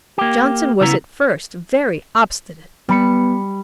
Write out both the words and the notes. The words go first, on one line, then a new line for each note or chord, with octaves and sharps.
Johnson was at first very obstinate.
A#3 G4
C#3 B3 E4 A#5
G3 B3 B5 C#7